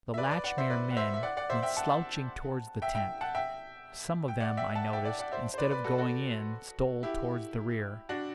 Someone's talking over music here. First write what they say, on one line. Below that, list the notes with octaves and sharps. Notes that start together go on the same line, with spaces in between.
The Latchmere men went slouching towards the tent; some of them, I noticed, instead of going in stole towards the rear.
E5
B4 D5
B4 D5
D5 F#5
C5 E5
B4 D5
F#5
C5 E5
E5
D5 F#5
D5 F#5
C5 E5
E5 G5
F#5 A5
E5 G5
E5 G5
F#5 A5
E5 G5
G5
D5 F#5
E5 G5
F#5 A5
E5 G5
D5 F#5
D5 F#5
C5 E5
C5
B4 D5
B4 D5
F#4 A4
F#4 A4
E4 G4
D4 F#4